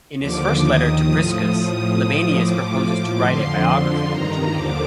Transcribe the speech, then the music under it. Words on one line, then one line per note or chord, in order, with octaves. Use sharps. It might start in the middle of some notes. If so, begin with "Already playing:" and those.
In his first letter to Priscus, Libanius proposes to write a biography of Julian.
D#2 D3 F3 D6
D#2 D#3 D#6
A2 F3 D#6
A2 F3
A2 F3
A2 F3 D6
A2 F3
F2 D3 F3 C6
F2 D3 F3
G2 D#3 A#5
D#2 D3 F3 D6